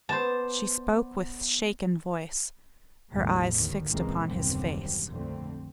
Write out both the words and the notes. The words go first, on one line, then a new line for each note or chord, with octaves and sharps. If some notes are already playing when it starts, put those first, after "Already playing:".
She spoke with shaken voice, her eyes fixed upon his face.
B3 C5 D5 A5
A1 E2 A2 D3 G3
D#2 D3 D#3
C#2 A#2 E3 G#3 A#3 C4
F#1 D#2 B2 D3 G3 C4
A#1 F2 D3 A3 C4